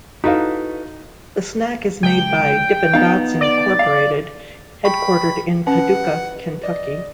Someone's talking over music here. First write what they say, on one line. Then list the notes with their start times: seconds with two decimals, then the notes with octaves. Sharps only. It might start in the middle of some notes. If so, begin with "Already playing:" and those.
The snack is made by Dippin' Dots, Incorporated headquartered in Paducah, Kentucky.
0.24 D#4 E4 F#4 A4 B4 F5
2.03 C#2 G5
2.94 B3 D#4 F5
3.41 D5
3.79 F5
4.85 G5 B5 C#6
5.67 C#4 B4 F#5
6.64 D5 D#5